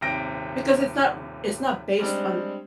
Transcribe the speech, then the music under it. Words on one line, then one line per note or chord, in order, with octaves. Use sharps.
Because it's not r it's not based on,
D#1 G#1 C3 G5 A#6 D7
G3 G#3 C4 D4